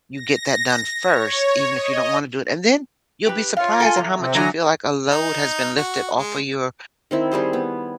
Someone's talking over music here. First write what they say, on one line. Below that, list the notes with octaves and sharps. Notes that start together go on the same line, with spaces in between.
you get that done first even if you don't wanna do it, and then you'll be surprised at how much you feel like a load has been lifted off of your
A#6
C#5
D#5
G4 B4
F4 C#5 F5
A4 G5 G#5
E2 A#5
C3 C4
D3 E3 F#3 G#5 A#5
D#4
F#4
G#3
D#3 C4 E4
G3 C4 G#4 C5
B3